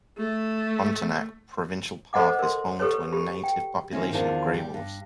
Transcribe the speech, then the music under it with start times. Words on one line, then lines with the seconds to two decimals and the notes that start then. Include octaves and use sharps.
Frontenac Provincial Park is home to a native population of grey wolves.
0.18 A3
2.13 A4 C5 D#5 F#5 D6
2.39 A#4 C6
2.80 G4 A4 B4 C#5
3.12 G4 B5
3.44 G5
3.92 D#3 C4 C#4 E5
4.11 E2 D#3 F3 D4 A5
4.54 G3
4.74 G2